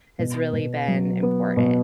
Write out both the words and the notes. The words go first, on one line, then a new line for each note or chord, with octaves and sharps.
has really been important.
B2
B2
F#3
B3
B2